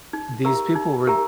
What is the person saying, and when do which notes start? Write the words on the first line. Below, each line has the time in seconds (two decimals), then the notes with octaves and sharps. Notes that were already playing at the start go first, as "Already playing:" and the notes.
these people were
0.13 D#4
0.45 G4 A#4 E5 A#5
0.75 D#4
1.07 G4 A#4 E5 A#5